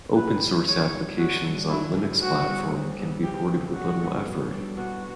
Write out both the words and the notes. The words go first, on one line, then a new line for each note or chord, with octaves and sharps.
Open source applications on Linux Platform can be ported with little effort.
F#2 B4
D3 G3
F#2 C#5
D3 G3
F#2 F#4
D3 G3
F#2 E4
D3 G3
D2 F#4
C#3 G3 B3 E4
D2
C#3 G3 B3 E4
D2 G4
C#3 G3 B3 E4
D2 F#4
C#3 G3 B3 E4
B2
G3 D4 A4
B2 F#4